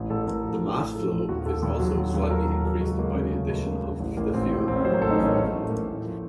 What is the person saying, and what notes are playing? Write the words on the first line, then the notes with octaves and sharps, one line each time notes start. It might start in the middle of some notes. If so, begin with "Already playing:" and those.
The mass flow is also slightly increased by the addition of the fuel.
Already playing: A1
A1 A4
A1 A#4
F3
A1
A1
F3 A4
A1
D#2 F#4
D#2 A4
D#2
F#3
D#2
D#2
A4
F#3 A#4
D#2
F#3 A4
C#2 F#4
C#2 A#3
C#3 A#3
C#2 A3
C#2
C#3 A#3
C#2
A1
A1 A#3
A1 C4
A2
A1 C4
C#4
F#3 C5
A#4
A1 A4
D#4
A1 C#4
A#3
A1 A3
A1
A1 A#3
A2
F3